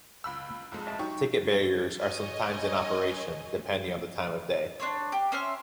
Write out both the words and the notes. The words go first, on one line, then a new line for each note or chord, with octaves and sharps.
Ticket barriers are sometimes in operation, depending on the time of day.
C#2 B5 E6
B1 F2 G#3
D#5 E5 A5
F#3 D#4 G4 C#6
C#5 D#5 G#5
D4 C5 C#5
G4
C#4 C5 E5 F6